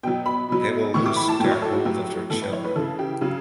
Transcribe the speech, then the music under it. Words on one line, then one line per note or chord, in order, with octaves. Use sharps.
They will lose their hold of their children.
B2 F#3 G5
B5
B2 F#3
A2 E3 C#6
D6
B5
A5
A2 F#3 G5
C#5
A4
F#4
A2 F#3 G4
A2 E3 A4
B4
C#5
B4
C#3 E3 A4
G4
C#3 F#3